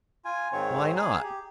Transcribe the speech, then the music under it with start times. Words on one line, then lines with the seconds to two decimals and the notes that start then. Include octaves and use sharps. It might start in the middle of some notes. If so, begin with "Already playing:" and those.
"Why not?"
0.25 F4 G#5
0.52 G#2 D#3 C4 C#5
0.95 D#4 G#4
1.24 G4